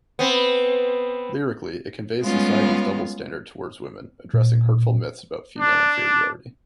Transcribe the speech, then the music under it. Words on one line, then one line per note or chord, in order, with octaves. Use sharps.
Lyrically, it conveys society's double standard toward women, addressing hurtful myths about female inferiority.
B3 C4
G3 G#3 B3 C#4 F4
A#2
D4